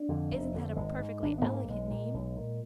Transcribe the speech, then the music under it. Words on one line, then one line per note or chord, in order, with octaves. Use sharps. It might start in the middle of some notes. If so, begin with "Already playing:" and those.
Isn't that a perfectly elegant name?
Already playing: D4
F2 D3
F1
F2 D3
G#1 G#3
G#2
G#1 D4
B3
G#2
A#3
B1 G#3
A#2
B1
A#2